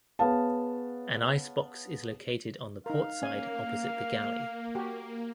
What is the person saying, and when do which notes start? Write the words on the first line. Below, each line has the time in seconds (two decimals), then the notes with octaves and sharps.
An ice box is located on the port side opposite the galley.
0.19 B3 G#4 C#5 F5 A5
2.86 D#4 A#4 F5
3.22 A#3 C#4 G#5
4.75 F#4 G4